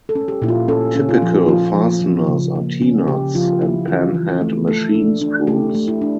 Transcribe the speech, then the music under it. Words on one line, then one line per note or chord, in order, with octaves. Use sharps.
Typical fasteners are T-nuts and pan-head machine screws.
A4
C#4
G4
A#2 E4
F4
C#4 A4
C#4
F4
F3
F3 F4
F3
F3
C#3
A#3
C#4
C#3 G4
F3 F4
F3 E4
E3 F4
E3
A3
A3 A4
D4
D4
A3 G4
A3
E4
D4